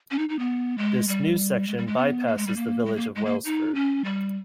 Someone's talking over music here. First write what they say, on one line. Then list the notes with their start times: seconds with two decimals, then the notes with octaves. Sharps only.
This new section by-passes the village of Welsford.
0.11 C#4
0.19 D#4
0.29 D#4
0.39 B3
0.78 G#3
1.08 G3
1.68 G#3
1.77 G3
1.87 G#3
1.97 B3
2.27 A#3
2.37 G#3
2.47 G3
2.56 A#3
2.86 G#3
2.96 A#3
3.16 G#3
3.25 A#3
3.45 D#4
3.75 C#4
4.05 G3